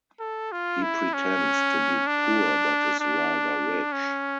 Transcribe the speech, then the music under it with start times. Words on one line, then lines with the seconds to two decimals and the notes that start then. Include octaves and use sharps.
He pretends to be poor but is rather rich.
0.20 A4
0.52 F4
0.82 E4
1.14 C#4
2.07 D4
3.00 D4
3.92 C#4